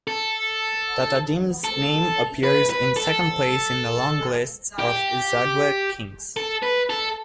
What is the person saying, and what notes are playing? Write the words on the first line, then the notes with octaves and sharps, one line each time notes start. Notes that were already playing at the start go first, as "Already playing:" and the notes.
Tatadim's name appears in second place in the long lists of the Zagwe kings.
A4
A4
B4
B4
A4
G4
A4
B4
A4